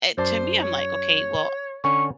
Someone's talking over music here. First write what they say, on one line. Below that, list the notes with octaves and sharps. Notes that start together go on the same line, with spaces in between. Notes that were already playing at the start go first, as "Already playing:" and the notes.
eh, to me, I'm like, "Okay, well"
F#2 C5 D5 A5
C#5
D3 C#4 C#6